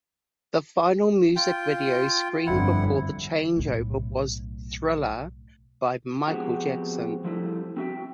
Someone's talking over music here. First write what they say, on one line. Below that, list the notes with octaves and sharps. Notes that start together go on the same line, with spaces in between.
The final music video screened before the changeover was "Thriller" by Michael Jackson.
F4 G5
G1 F2 E4 F#5
B1 A2
F3 G#3 B3 C4 F#4 G4
F3 G3 A3 C4 E4
C4 F#4 E5 G5